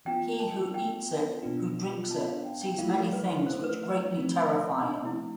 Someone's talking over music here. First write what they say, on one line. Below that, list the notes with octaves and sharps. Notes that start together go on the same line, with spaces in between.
He who eats it, who drinks it, sees many things which greatly terrify him.
E3 B3 F4 G5
A5
G5
B2 B3 D4 F4
A5
F5
G5
G5
F3 A3 E4 F5
A4
B4
C5
B4
F3 A3 C4
D4
E4